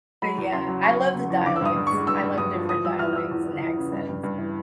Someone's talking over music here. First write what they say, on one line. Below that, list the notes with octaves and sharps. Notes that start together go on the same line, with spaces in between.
But yeah, I love the dialects. I love different dialects and accents.
F#3 B5
E2
C#3 C6
F#3
C#3 C#6
F#3
C#3
E2
D3 D6
E6
G2 D#6
G2
C#6
G#3
G2 E6
G2
G2 D#6
F3
E3 D#6
G3 E6
E2 F6
E3 E6
E2
E3
E2
C#3
G2
G2
G2
E3